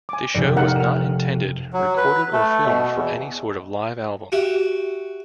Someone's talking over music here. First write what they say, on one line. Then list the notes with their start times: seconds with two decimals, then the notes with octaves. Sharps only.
This show was not intended, recorded or filmed for any sort of live album.
0.09 G#5 D6
0.35 F1 C3 D5
0.56 D#4 A#4 F#5
0.80 F6
1.73 F#3
1.97 B4
2.33 A3
2.65 B2
2.95 E2
4.32 F#4 G4 E5